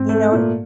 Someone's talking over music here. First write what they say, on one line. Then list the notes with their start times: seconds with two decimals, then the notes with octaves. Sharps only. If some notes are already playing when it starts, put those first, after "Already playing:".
You know it
Already playing: G#2 C4
0.09 A3
0.32 A#2